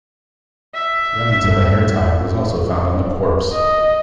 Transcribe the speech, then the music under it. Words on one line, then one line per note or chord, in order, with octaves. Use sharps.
Remnants of a hair tie was also found on the corpse.
E5
G2
D#5